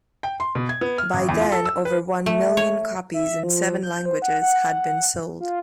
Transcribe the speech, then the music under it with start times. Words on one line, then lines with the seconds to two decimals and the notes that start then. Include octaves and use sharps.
By then over one million copies in seven languages had been sold.
0.23 G5
0.40 C6
0.55 B2
0.69 G#6
0.81 B3
0.98 F6
1.14 A1
1.29 E2
1.41 F4
1.52 A4
1.65 E6
1.85 B4
2.26 A3
2.57 C#5
3.14 E5
3.43 F3
3.83 G6
4.06 C5
4.22 F#5
4.41 F#5
5.40 F4